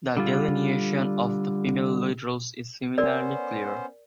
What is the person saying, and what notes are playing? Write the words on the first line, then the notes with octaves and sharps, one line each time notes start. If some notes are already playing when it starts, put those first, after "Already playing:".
The delineation of the female lead roles is similarly clear.
D3 G3 F4
B3 C#4 A#4 C5 D5